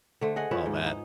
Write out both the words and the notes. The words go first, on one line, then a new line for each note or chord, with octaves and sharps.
Oh, man.
D3 A3 C5
G#4 D#5 F#5
F3 E4 B4 C#5
G#2
D#4